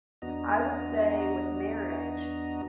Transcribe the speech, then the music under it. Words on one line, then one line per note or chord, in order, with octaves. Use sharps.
I would say with marriage,
E2 B3 D4 F#4 D#5 A#5